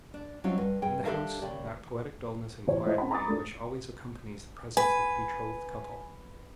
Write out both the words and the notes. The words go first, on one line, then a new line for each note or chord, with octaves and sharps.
In the house that poetic dullness and quiet reigned which always accompanies the presence of a betrothed couple.
D4
F#3 G3 C4 C#4 D#4 F4
G2
G2 G#4 G5
D4 G4 A4 A#4 E5 F5
D#2 C#3 G4 D5
A1 C5 C#5
A3 E4 C5 D#5
C4 C#4 F#5 A5 B5
A#5 B5 D6 D#6 A6
A3 D4 A4
B4 G#5